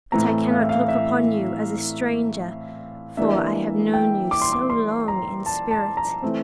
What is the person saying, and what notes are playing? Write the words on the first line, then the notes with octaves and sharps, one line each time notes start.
"But I cannot look upon you as a stranger, for I have known you so long--in spirit!"
A2 E3 A3 C4 A#5
F5
E5
F5
E5
E3 G3 A#3 D4 E5
G5
D6
C6
D6
C6
A#5
A5
A5
A#5
E3 A3 C4